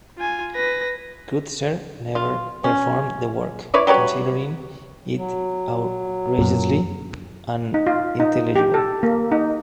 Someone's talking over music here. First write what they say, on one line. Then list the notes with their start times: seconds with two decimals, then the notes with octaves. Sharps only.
Kreutzer never performed the work, considering it "outrageously unintelligible".
0.17 F4 G#5
0.55 B4 A#6
2.15 F4
2.64 C#4
3.74 E4 B4 C#5 D5
3.87 F#3 G3 B4 C#5
5.17 F#3
6.39 F#2 A#2
7.74 D#4
7.87 F4
8.20 D#4
8.56 G4
8.74 A4
9.03 A#3
9.32 D#4